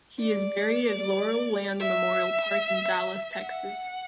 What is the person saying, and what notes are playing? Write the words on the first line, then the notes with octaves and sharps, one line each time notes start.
He is buried at Laurel Land Memorial Park in Dallas, Texas.
D5
E5
F#5